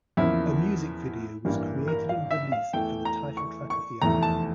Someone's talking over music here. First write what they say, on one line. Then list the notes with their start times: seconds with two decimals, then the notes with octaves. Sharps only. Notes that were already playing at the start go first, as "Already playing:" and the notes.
A music video was created and released for the title track of the album.
0.17 E2 C#3 F3 A#3 E4
1.45 A1 G2 E3 G3 A#3
1.88 A#4
2.09 F5
2.31 E5
2.52 F5
2.73 E2 E3 A3 G5
3.05 A#5
3.37 C#6
3.70 C#6
4.02 F1 E2 E3 A3 A#5
4.23 A5